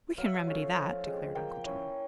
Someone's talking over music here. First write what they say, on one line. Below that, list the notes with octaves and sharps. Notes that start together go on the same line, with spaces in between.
"We can remedy that," declared Uncle John.
F#3 F5
E5
F5
A3 C#4 F4
F3
G#3 C4
A#3 G5
C#4 E4